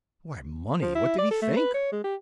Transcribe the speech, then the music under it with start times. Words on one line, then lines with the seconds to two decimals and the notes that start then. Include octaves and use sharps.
Why, money; what did he think?
0.82 F3
0.95 E4
1.18 D5
1.31 A4
1.42 A3
1.57 B4
1.74 C#5
1.92 G#3
2.04 G4